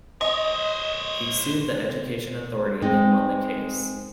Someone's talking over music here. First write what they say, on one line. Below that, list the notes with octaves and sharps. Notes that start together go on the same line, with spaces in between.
He sued the education authority and won the case.
C5 C#5 D#5
G#3 C4 D#4